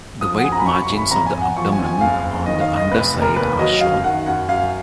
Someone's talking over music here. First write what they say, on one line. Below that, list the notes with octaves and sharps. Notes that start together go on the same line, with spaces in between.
The white margins of the abdomen on the underside are shown.
F3 D#6
F#5
F#2 G#5
A#5
B5
F#2 C#6
C#6
G#1
B5
F2 A#5
G#5
F2
F#5
F3 C#6
G#5
F2
G#5
F#1 F5
F#1
D#3 D#5
F5
F#1
D#5
F1 B4
F1
A#4
D#2 B4
F#3 D#5
F#2 F5
D#3 F#5
F#2 F#5
F#2 F5